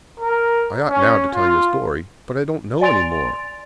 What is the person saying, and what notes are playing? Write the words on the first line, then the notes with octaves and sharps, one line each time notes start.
"I ought now to tell you a story; but I don't know any more."
A#4
C#4
F4
D5 G#5 C6 A6 D7 F7